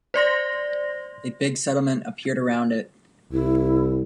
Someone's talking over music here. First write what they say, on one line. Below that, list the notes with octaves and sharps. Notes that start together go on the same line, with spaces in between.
A big settlement appeared around it.
C5 D5 C6 A#6
C2 E4